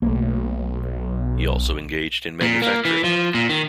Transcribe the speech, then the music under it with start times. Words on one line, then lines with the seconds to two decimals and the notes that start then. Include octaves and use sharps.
He also engaged in manufacturing.
0.02 B1 A3 A#3
2.42 A#2
2.62 A#3
2.85 E3
3.04 F3
3.34 A#2
3.49 D#3